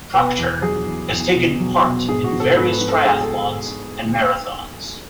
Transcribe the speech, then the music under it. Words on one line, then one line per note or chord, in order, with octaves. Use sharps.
Procter has taken part in various triathlons and marathons.
B2 B4
E2
F#3 G#4
E2
E2
B2
F#3
B2
G#2 G#4
F#4
G#2
A4
G#2 B4
B4
G#2
A4
G#2 G#4
A4